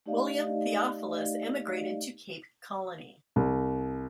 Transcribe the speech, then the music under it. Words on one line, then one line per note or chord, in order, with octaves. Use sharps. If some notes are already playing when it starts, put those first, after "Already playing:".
William Theophilus, emigrated to Cape Colony.
A3 D#4 G4 D5 D#5 F5
C2